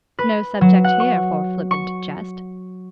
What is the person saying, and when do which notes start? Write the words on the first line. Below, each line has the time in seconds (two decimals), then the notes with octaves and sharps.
No subject here for flippant jest.
0.19 B4
0.61 F#3
0.84 F#5
1.00 C#6
1.71 C#6